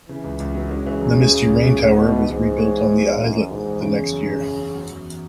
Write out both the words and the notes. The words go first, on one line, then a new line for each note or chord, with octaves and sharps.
The Misty Rain tower was rebuilt on the islet the next year.
C#3 E3
C#2
C#2
F#3
C#3 G#3
E3
F#2
E3
C#2
C#2
C#2
C#2
B2 B3
E3
C#2 G#2
E3
C#5
E4
B2
E4
F#2 E3
B3
E1 G#2
E2
C#3 E3
F#2
F#2
F#2
E2
C#4
F#3
E2